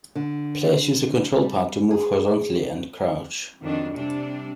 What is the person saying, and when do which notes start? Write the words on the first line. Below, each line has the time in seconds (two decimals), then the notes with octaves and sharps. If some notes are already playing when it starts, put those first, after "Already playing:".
Players use the control pad to move horizontally and to crouch.
0.15 D3
1.42 G3
1.91 G#4
3.62 F2 D#3 F#3 D4
3.95 C3 G3 D4